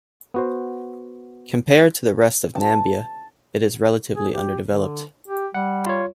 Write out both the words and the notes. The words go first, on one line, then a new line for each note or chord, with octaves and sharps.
Compared to the rest of Namibia, it is relatively underdeveloped.
B3 F#4 C5
A5
G#4
G4
D3
G4
G3 F#5
F4 C#5